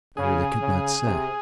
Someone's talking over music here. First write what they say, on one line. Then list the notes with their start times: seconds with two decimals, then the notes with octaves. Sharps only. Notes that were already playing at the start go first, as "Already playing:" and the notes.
'I really could not say.
0.17 C#3 G#4
0.61 C#3
1.05 C3